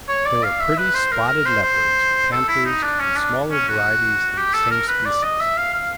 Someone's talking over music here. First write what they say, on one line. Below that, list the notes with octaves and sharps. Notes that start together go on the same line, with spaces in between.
There were pretty spotted leopards, panthers, and smaller varieties of the same species.
C#5
D5
F5
E5
B4
C5
A#4
A#4
C5
C5
A4
E4
D#4
D4
C#4
D4
C#4
F#4
G4
A4
A#4
B4
D5
D#5
E5
F5
F5